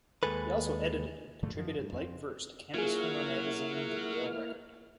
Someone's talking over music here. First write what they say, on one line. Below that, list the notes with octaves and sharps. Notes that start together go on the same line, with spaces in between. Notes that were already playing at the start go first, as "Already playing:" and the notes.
He also edited and contributed light verse to campus humor magazine "The Yale Record".
D#2 C3 G#3 G#4 A4 B4
G#2 D3 F3 A3
F#2 F3
G2
F2 A#3 C4
F#3 A#3 E4 F4 G#4 F6